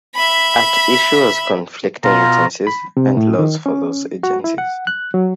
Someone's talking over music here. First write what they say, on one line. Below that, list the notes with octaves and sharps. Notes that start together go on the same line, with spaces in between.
At issue was conflicting agencies and laws for those agencies.
E5 B5
B2 F4 A#5
B5
C3
A2
D#3
C#4
F#4
E4
F#5
F#6
F#3